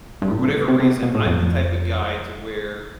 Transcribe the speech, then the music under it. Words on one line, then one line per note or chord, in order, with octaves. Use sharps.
for whatever reason, I'm the type of guy to where
G2
A2
C3
D3
B3
C3
C3
B2
A2
F2